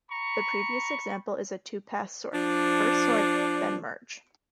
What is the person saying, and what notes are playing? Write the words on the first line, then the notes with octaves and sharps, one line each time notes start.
The previous example is a two-pass sort: first sort, then merge.
A#5 B5 C#6
F3 D4